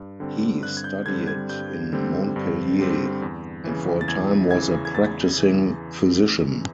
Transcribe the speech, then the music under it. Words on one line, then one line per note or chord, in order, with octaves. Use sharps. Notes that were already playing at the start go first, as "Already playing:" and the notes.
He studied in Montpellier, and for a time was a practicing physician.
Already playing: G2
D3 G3 C4
G2 F#6
G#6
G6
D3 G3 C4 G#6
G#6
G2 G6
D3 G3 C4
G2
D3 G3 C4
E2
C#3 E3
A6
E2 G#6
C#3 E3 G#6
G#6
E2 A6
C#3 E3